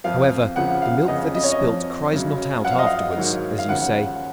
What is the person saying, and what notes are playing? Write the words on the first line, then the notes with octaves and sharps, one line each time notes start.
However, 'the milk that is spilt cries not out afterwards,' as you say.
F2 F3 F5
C#2 C#3 F3 F#5
F5
F2 C#3 F3 D#5
D#5
C#5
D#5
F2 F3
F#2 C#3 F#3
F#2 F3 F#5
F5
D#5
F5
G#2 D#3 F#3
F5
D#2 C#3 F3 F#5